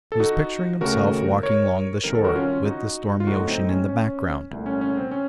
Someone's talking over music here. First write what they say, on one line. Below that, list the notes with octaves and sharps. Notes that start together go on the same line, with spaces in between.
He was picturing himself walking long the shore, with the stormy ocean in the background.
A4
D#4 F#4
D#2 C#3 A3 F#4 A#4
A#4 C#5
C2 C3 D#3 A#4
A4
F#4 A#4
C#4 F4
D#4 F#4
F4
A2 F#3 A3 D#4 F#4
C4 D#4
C#4
C#4
C2 A#2 A3
C#4
C#4
C4
C#4